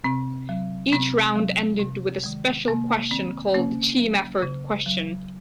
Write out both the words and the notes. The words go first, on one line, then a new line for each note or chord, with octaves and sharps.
Each round ended with a special question called the "Team Effort Question".
C3 C4
F#3
C3 C4
F#3
C3
D#3 G#3
C3 A#3
D#3 G#3 C4
C#3 A#3 C#4
F#3
C#3
F#3